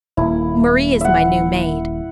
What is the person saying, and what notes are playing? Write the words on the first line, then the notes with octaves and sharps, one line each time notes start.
Marie is my new maid.
D#1 A#3 E4
E5 F#5